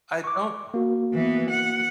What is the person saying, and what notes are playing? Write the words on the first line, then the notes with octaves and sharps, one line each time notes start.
I don't
C#6 D6
A#3 F#4
E3 B3
F#5